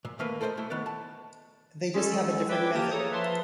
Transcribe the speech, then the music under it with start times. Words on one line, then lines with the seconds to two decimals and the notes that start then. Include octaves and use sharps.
They just have a different method.
0.05 A#2
0.19 D#3 A3 A#3 A#4 B4
0.41 A4 A#4 C5 D5 D#5
0.57 B1 A3 E4
0.70 D#3 B3 D5
0.86 A5
1.94 G#3 C#4 A4
2.49 B4 D5 E5 G5 D6 G#6
2.74 A#3 G4 G5 A5 A#5 D#7
2.91 G#4 A4 C#5 A#5 D#6
3.11 F3 B4 E5 A5 C6